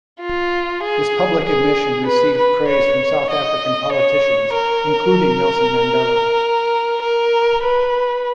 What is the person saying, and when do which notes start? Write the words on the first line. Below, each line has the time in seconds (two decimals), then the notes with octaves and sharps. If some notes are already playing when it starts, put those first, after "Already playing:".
This public admission received praise from South African politicians, including Nelson Mandela.
0.21 F4
0.83 G#4
1.45 G#4
2.07 B4
2.38 B4
2.68 C#5
3.30 D#5
3.92 C#5
4.54 A#4
7.02 A#4
7.63 B4